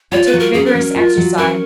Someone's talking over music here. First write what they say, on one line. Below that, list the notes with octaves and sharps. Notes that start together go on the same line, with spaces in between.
I took vigorous exercise.
F4 C#5
B4
F#3
A#4
C#4 G#4
A#4
F#3
F4
F#3
C#4 A#4